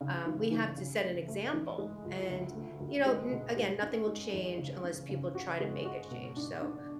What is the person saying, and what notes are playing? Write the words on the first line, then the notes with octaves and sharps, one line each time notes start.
um, we have to set an example, and, you know, n again, nothing will change unless people try to make a change. So,
C#3
E3
E3
C#3
A3
A3
E3
G#3
C#2
D2
A3
D2
G#3
B2
G#3
C#4
G#3
E2
C#3
C#4
C#3
F#4
G#3
F#4
B2
D4
D4